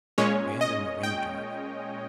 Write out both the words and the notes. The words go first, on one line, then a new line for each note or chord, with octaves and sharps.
Abandon the ring target.
A#2 G#3 C#4 C#5
D#5
G5